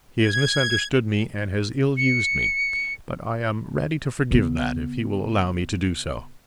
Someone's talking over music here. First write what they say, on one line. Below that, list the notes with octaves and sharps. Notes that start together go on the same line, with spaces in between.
He has misunderstood me and has ill-used me. But I am ready to forgive that, if he will allow me to do so.
G#6
C#7
C#3 B3